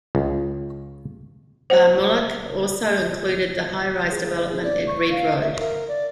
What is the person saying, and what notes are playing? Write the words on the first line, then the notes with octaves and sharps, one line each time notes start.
Barmulloch also included the High rise development at Red Road.
C#2
C5 F#5
G#4
G#4
G#4
D5
C#6
F5
E5
A#4
D5